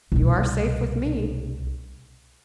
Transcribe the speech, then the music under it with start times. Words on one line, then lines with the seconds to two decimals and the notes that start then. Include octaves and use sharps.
"You are safe with me."
0.12 C2 B2